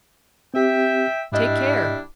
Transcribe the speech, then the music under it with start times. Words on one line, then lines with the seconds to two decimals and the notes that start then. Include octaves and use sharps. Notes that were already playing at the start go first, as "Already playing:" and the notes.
Take care!
0.54 C4 G4 E5 G5
1.32 G#2 G3 D4 E4 D#5